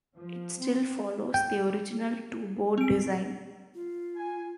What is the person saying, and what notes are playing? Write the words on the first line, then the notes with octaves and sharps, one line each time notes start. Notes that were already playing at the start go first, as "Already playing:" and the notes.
It still follows the original two board design.
F3
C4
G5
C4 D7
F4
G#5